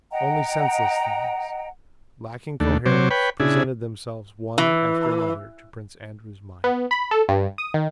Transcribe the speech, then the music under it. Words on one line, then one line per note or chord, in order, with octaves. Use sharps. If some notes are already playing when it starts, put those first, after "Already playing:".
Only senseless things, lacking coherence, presented themselves one after another to Prince Andrew's mind.
D#5 F#5 G5 A#5
D#2 A3 D4
C3 F#3 C5 C#5 D6
B4 C#5 G5 B5
C#3 D4 E4 G#4
E3
B3
B5
A4
G2
D#6
D#3